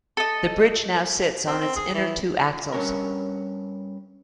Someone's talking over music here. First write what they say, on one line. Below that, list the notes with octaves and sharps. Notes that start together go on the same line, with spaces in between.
The bridge now sits on its inner two axles.
A4 D#5
C4
C4
G#4
E3
G2 C#4 A#4